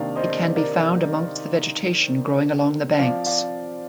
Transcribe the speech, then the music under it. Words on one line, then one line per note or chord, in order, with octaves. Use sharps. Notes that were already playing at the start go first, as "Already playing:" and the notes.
It can be found amongst the vegetation growing along the banks.
Already playing: C3 D#3 A#3 D4 D5 F5
C5 D#5
A#4 D5
F3 C4 D5 F5
D5 F5